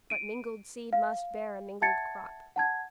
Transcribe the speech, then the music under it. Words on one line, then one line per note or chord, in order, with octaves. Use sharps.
But mingled seed must bear a mingled crop.
D7 D#7
F5
E5 F#5 A5 G#6 A6 C#7
F#5 A5 G#6